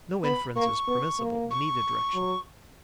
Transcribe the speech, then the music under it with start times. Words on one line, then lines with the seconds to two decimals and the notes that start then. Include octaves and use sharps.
No inference is permissible in either direction.
0.24 B3 B5
0.56 A#3 C#6
0.88 B3
1.19 A#3
1.51 C#6
2.14 F#3